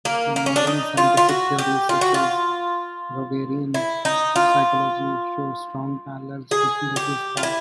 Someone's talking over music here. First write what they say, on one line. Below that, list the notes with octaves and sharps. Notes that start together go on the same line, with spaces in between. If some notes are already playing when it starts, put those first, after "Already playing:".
Some modern scientific theories, such as Rogerian psychology, show strong parallels with Buddhist thought.
A#3
A#3
C#4
D4
D#4
F4
F4
F#4
G4
F4
F#4
F4
E4
D#4
F4
G#4
G4
F4
E4